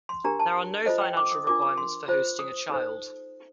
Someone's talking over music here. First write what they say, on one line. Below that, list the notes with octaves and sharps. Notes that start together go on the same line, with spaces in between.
There are no financial requirements for hosting a child.
C6
D4 G4 A#4 A#5
A5
F4 A4 C5 D#5
G5
D6
D#6
D4 F4 A#4 D6
D6
C6
F4 C5
D#6
D#4 A4 C5